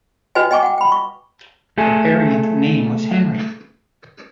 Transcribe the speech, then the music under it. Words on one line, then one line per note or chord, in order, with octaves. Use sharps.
A variant name was "Henry".
F#4 B4 C5 D#5 G5 G#5
D#5 G5 G#5 C#6 D6
F#5 G5
G5 B5
C#6
A3 G#4 A4 G#5